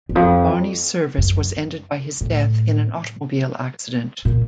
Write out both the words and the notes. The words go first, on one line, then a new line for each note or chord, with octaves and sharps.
Varney's service was ended by his death in an automobile accident.
E2
F2
F#2
A2
A#2